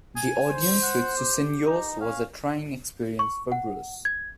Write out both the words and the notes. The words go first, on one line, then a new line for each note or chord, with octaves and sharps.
The audience with Susenyos was a trying experience for Bruce.
G#5
C5
F#5
G4
D#4
C#4 F5
C#6
F#5
G#6